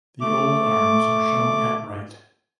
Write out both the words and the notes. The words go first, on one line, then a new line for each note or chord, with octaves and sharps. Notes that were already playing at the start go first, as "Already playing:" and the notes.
The old arms are shown at right.
A3 D6